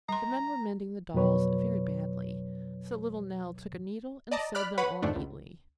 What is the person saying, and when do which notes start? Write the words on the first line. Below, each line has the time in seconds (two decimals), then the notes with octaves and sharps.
The men were mending the dolls very badly, so little Nell took a needle and sewed them all neatly.
0.09 G3 A#5 C6
1.14 F2 B2 F#3 B4 C#5
4.31 D5 D#5 A5 A#5
4.55 D5 B5 F6 F#6
4.78 B4 C#5 F#5 B5
5.02 F2 G#2 D3 A3 D4
5.15 C#2